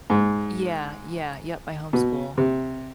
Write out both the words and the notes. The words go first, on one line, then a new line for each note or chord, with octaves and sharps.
Yeah, yeah yep, I homeschool.
G#2
B2
C3